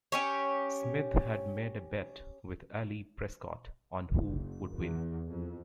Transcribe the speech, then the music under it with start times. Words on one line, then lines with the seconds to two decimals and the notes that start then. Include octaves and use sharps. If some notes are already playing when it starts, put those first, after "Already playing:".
Smith had made a bet with Allie Prescott on who would win.
0.12 C#4 G4 C#5
4.07 F#1
4.76 E2
5.29 F2